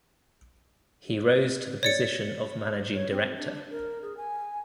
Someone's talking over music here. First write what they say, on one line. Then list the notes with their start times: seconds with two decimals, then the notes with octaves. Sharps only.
He rose to the position of Managing Director.
1.83 C#5 D5 C#7
2.93 C#5
3.11 C4
3.36 D4
3.71 A#4
4.02 G#4
4.17 G#5